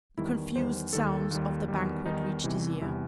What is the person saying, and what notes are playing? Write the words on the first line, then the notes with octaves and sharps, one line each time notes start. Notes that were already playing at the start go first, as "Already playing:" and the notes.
The confused sounds of the banquet reached his ear.
E2 D#3 G3 E4
E2 D#3 G3 C5
D#2 D#3 G3 A4
D#2 D#3 G3
E2 D#3 G3
E2 D#3 G3 D#4
E2 C3 E3 G3
E2 C3 E3 G3 E4